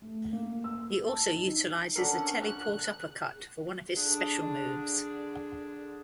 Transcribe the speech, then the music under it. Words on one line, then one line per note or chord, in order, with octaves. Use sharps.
He also utilizes a teleport uppercut for one of his special moves.
A3
A#3
E6
A5
D#4
C#4 D4 A4 A#4 F#5
F#6
D3 D4 G#4